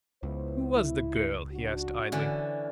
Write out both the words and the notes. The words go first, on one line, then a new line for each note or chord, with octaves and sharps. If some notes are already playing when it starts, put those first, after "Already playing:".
"Who was the girl?" he asked idly.
C#2 B3 E4 C5
E4
D4 F#4
D3 E3 C#4